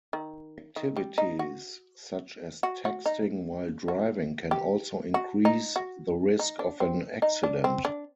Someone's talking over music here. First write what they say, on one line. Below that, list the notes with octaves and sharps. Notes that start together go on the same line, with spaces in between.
Activities such as texting while driving can also increase the risk of an accident.
D#3
D#3
G3
D#4
F#4
F#4
F#4
D#4
F#4
G4
F#4
D#4
F#4
D#4
D4
C4
D#4
D4
C4
D4